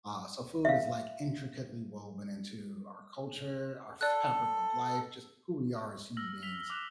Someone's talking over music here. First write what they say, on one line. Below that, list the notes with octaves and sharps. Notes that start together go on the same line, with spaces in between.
uh, so food is, like, intricately woven into our culture, our fabric of life, just who we are as human beings,
E5 F5
A4 D5 F#6
E6 F6 A#6 F#7
B6 F7 G7
D6 E6 F#6 F7